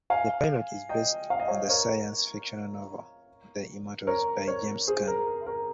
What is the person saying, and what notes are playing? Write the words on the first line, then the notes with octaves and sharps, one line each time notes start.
The pilot is based on the science fiction novel "The Immortals", by James Gunn.
F5 G#5
D#5 G5
F5
D#5
C#5 F5
A#4 C#5
A#4 C#5
A#4 C#5
G#4 C5
A#4
A#4
A#4